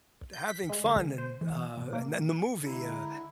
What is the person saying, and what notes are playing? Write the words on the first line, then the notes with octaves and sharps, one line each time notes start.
having fun and, uh, and then the movie, uh,
G6
B6
G#3
D3
C5
E3
B2
A#3
D3 G#3 E4 A#5